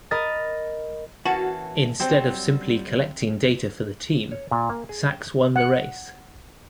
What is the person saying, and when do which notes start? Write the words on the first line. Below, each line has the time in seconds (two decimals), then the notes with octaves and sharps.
Instead of simply collecting data for the team, Sacks won the race.
0.11 A#4 D#5 B5 A6
1.25 E3 A#3 C#4 F#4 A5
2.00 F#3 G3 C4 C5
4.32 C#5
4.51 A#2
4.69 A#3
4.89 G#4
5.10 G5
5.56 F#5